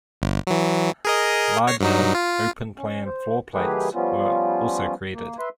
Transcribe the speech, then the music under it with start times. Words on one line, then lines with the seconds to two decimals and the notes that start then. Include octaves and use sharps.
Larger, open plan floorplates were also created.
0.22 G1
0.47 E3 F#3
1.05 G#4 A#4 D#5
1.67 C#5 A#6 C7
1.80 G2 F#3 D#4
2.15 F4
2.78 C#4
3.06 C5
3.54 D#3 F#3 A3 G4 G#4 B4
3.94 F3 G3 B3 C#4 F4
5.14 A#3
5.39 B4 E5 C6